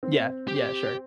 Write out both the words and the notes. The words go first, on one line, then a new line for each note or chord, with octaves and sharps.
Yeah, yeah, sure.
C4
G4